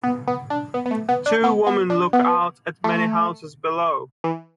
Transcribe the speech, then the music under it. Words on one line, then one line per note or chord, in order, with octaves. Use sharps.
Two women look out at many houses below.
B3
B3
D4
B3
B3
A3
B3
D4
B3
B3
D4
B3
A3
E3